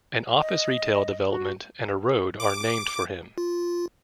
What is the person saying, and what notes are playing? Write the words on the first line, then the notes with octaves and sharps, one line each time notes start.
An office retail development and a road are named for him.
D#5
F#4
D6
F4